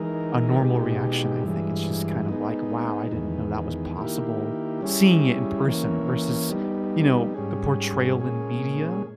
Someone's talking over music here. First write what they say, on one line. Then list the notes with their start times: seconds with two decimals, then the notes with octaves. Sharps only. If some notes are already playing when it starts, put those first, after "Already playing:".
a normal reaction, I think. It's just kind of, like, "Wow. I didn't know that was possible," seeing it in person versus, you know, the portrayal in media,
Already playing: E3 G#3 D#4 A#4
0.59 B2 G#3 D#4 G4
1.44 G2 E3 G#3
2.29 G#3 B3 D#4
3.12 E2 D#3 G#3 B3
3.97 D#3 A#3 E4 G4
4.81 G3 C#4 E4 G#4
5.65 E3 A#3 C#4
6.49 G3 B3 D#4
7.34 G#2 G3 C#4 G#4
8.18 A#2 G#3 C#4 G#4